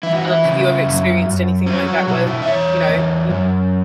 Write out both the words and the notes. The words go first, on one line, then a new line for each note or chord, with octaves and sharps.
Um, have you ever experienced anything like that where, you know? You
E3 E4
F#4
E4
C#3
F#2
F#2
F#3 C#4
F#4
B2 F#4
E4
E5
E2 C#5
E2
F#2